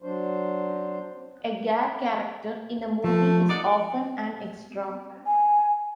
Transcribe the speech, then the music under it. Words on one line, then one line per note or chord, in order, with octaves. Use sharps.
A "gag" character in a movie is often an extra.
F#3 D4 C5
F3 A3
D#4 D5 F#5
G#5